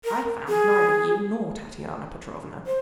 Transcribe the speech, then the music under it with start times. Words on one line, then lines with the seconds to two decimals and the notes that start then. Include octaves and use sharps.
I found neither you, nor Tatyana Petrovna.
0.05 A#4
0.49 G#4
2.66 C5